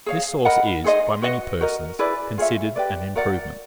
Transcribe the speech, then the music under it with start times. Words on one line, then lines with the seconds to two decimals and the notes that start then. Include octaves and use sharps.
This sauce is, by many persons, considered an improvement.
0.06 G#4 C#5 F5
0.45 A#4 D#5 F#5 B5
0.84 D#4 G#4 C5 D#5
1.22 F#4 B4 D#5 F#5
1.61 F#4 A#4 D#5
1.99 E4 G#4 B4 D5
2.38 F4 G#4 C#5 E5
2.76 G4 B4 D5
3.15 F#4 A#4 D5 F#5